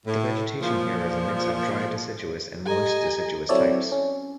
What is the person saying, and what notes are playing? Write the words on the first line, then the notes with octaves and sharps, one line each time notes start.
The vegetation here is a mix of dry deciduous and moist deciduous types.
A2
A#2 F3
G4 A4 D#5 G#5 A#5
F#3 C4 E4 A4 C#5 D5
C#4